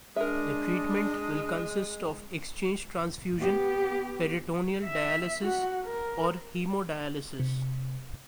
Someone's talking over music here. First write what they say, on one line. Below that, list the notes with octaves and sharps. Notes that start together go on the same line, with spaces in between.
The treatment will consist of exchange transfusion, peritoneal dialysis or hemodialysis.
G#3 D4 A#4 D#5 E5
B3 G4
E5
F#4 F#5
A#4
C3